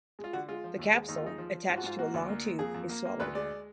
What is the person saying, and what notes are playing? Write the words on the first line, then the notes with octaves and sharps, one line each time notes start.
The capsule, attached to a long tube, is swallowed.
G#3
F4
D3 F#4
G#3 F4
F3
D#2
G#3
D#2 D#4
F4
G#3 D#4
F3
F3
G#2 F4
F#4
G#2 F4
A#3 F#4
D2
A#3
A#3
F2 G#4
F2
A#3
A#3
D2 B4
G#3 D5